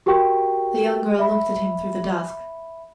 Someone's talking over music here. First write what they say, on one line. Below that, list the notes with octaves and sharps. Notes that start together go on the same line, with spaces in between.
The young girl looked at him through the dusk.
F#4 G4 A#4 G5 C#6
E5 B5